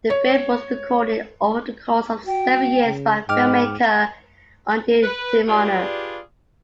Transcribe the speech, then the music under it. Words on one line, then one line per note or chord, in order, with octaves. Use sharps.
The film was recorded over the course of seven years by filmmaker Ondi Timoner.
C#5
F#4 G5
C#3
G#2 D#5 G5 D6 F6
B4
D4 F4 G4 G#4 B4 D5